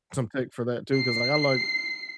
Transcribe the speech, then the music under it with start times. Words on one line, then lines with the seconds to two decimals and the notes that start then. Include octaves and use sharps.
some tech for that too, 'cause, like, I like
0.93 C7